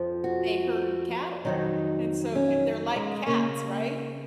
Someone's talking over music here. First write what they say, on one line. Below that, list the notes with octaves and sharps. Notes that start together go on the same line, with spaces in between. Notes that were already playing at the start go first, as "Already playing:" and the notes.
they herd cattle, and so they they're like cats, right?
Already playing: F2 F3
F#4
F2 D#3 F#3 D#4
C#4
G#3
C#3 A#3